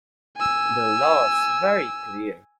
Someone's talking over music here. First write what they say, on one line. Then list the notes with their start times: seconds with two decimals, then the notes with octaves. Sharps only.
The law is very clear.
0.37 G#5 E6